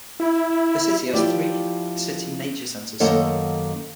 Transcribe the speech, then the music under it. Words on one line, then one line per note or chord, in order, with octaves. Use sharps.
The city has three city nature centers.
E4
F3 E4 G4 D5
F#2 D#3 A#3 A4 D#5 F#5